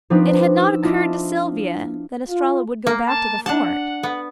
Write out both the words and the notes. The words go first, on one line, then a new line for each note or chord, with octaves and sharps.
It had not occurred to Sylvia that Estralla would go back to the fort.
F3 C4 D4 D#4 B4
E6
D4 E4 F4 D#5 A5
F4
A#3
A5
D4 F#5 A5
B3